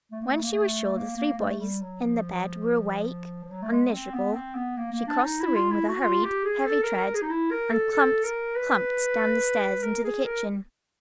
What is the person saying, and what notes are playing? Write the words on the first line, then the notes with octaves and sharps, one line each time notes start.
When she was sure the three boys in the bed were awake and miserable, she crossed the room with a hurried, heavy tread and clumped, clumped down the stairs into the kitchen.
A3
A#3
A3
A#3
A3
A#3
A#3
A3
G3
F#3
F3
F3
F#3
A3
G#3
C4
B3
C4
B3
A#3
A#3
D4
D#4
E4
F4
E4
F#4
F4
G4
G#4
A4
A#4
A#4
G#4
D#4
E4
A#4
A4
A4
A#4
B4
A#4
G#4
A#4